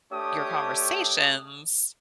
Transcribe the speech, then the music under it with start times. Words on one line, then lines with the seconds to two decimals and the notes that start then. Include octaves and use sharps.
your conversations
0.11 A3 D4 G4 C#5 D#6